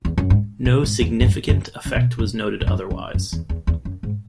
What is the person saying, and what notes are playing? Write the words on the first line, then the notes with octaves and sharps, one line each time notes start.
No significant effect was noted otherwise.
E2
F#2
G#2
B2
G#2
E2
G#2
F#2
F#2
C#3
B2
F#2
G#2
F#2
F#2
F#2
E2
E2
E2
F#2
G#2